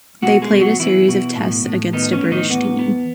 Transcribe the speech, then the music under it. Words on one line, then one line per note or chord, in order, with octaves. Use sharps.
They played a series of Tests against a British team.
B2 F#3 F#4
G#3 G#4
B2
F#3 F#4
B2 E3 E4
B2
A2
A2
D#3 B3 D#4
C#4
A2
D#3 D#4
E2 B3
B3